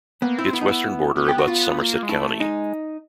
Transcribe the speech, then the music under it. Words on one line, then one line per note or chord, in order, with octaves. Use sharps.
Its western border abuts Somerset County.
A#3 B3
C4 E4
B3 E4
D#4
E4
B3
G4
F#4
B3 F4
A#3
G#3
A3 E4
G#3 D#4